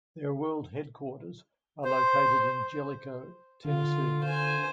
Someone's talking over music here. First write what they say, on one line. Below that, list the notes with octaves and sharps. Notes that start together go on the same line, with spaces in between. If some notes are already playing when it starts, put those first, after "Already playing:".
Their world headquarters are located in Jellico, Tennessee.
C5
D3 F4
C5 G#5